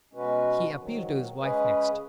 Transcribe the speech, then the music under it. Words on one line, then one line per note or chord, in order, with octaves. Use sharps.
He appealed to his wife next.
B2 G#3 C#4 F#4 B4
G#2 D#3 F#3
C#3 G#3 C#4 G#4 B4